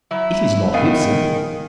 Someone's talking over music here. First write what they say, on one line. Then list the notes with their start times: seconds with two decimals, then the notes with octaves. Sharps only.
It is not Ibsen.
0.11 F#3 E4
0.74 D#3 B3 F5 G#5